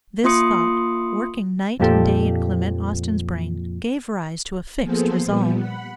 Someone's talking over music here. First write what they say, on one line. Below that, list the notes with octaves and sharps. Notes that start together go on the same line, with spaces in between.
This thought, working night and day in Clement Austin's brain, gave rise to a fixed resolve.
A#3 F4 C6 D#6 C#7
F2 A#2 F3 G4 A4
F3 A#3 B3 G#4 A4 C5
A#2 F3 G3 B3
F#5 B5